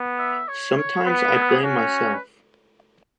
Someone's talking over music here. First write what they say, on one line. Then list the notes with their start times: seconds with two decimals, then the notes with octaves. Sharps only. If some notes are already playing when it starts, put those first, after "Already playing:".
Sometimes I blame myself.
Already playing: B3
0.19 E5
0.48 C#5
0.77 C#5
1.05 B3 B4
1.34 G#4
1.42 B4
1.49 G#4
1.64 C#4 F#4
2.13 B4